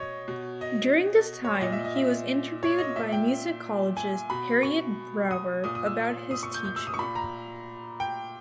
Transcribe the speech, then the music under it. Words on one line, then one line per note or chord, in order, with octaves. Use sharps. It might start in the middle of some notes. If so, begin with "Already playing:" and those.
During this time he was interviewed by musicologist Harriette Brower about his teaching.
Already playing: B2 C#5 D#5
B2
D#5
C#5
C#5
A#2 D#5
E5
D#5
E5
C#5
D#5
A#2 E5
G5
G#5
B2 B5
C#6
D#6
A#2 D#6
D#6
E6
D#6
C#6
G6
G6
E6
D#6
C#6
A#2 B5
A#5
G5